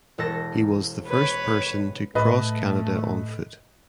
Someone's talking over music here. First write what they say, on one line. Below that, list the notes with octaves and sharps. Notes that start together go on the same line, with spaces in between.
He was the first person to cross Canada on foot.
E1 A4 A#6
B4 C#5
A2 A3 B4 D#5